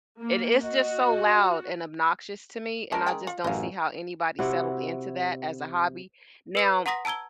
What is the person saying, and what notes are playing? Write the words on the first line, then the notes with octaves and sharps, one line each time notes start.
It it’s just so loud and obnoxious to me, and I just don't see how anybody settled into that as a hobby. Now
A#3
F#4 D#5
G#3 C#4 A#4 A5
C#3 G#4 G5
F4
A1 F#2 D#5 F5
C3 E4 F#4
B4 E6 C7
F#5 A#5 C6 D#6 A#6 B6
A5 A#5 E6 G#6 G7